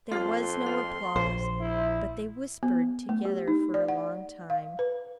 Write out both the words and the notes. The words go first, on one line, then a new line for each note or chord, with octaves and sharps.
There was no applause; but they whispered together for a long time.
F2 F4 C6
F4
A#1 C5
E4
B3
A3
G4
D#4
D5
F#5
F5
B4